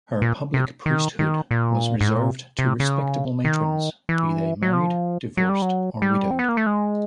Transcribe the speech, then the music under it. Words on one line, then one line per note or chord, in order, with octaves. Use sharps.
Her public priesthood was reserved to respectable matrons, be they married, divorced or widowed.
A#2
C3
D#3
D#3
A#2
G#2
A2
A#2
C3
C#3
D#3
E3
F#3
F3
F#3
G3
F#3
G3
C4
B3
A#3
A3
G#3